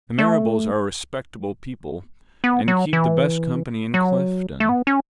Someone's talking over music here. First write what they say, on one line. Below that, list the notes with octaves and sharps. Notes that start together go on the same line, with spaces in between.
The Marrables are respectable people, and keep the best company in Clifton.
A3
B3
F#3
E3
F#3
A3
B3
C#4